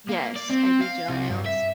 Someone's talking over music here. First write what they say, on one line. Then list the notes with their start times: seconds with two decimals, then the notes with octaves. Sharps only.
Yes. I do gel nails,
0.09 A#3
0.37 D5
0.51 C4
0.81 F5
1.09 C2
1.30 G2
1.46 E5